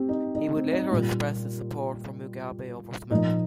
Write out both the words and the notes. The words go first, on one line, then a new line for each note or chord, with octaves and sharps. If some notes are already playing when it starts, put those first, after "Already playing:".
He would later express his support for Mugabe over Smith.
Already playing: C4 G4
D#4
D#4
C4
D#4
A#2 G3 F4
A#2 F3 D#4